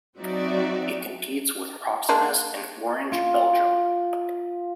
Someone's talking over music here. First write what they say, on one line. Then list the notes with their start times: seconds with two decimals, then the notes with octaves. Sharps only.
It competes with Proximus and Orange Belgium.
0.17 F#3 C4 D#4 F#4 D5 E5
2.09 G#3 A#3 D4
3.12 F4